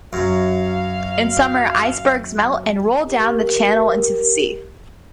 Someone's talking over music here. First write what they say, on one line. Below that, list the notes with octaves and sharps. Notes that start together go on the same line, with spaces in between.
In summer, icebergs melt and roll down the channel into the sea.
F#2 F5
G4 A#4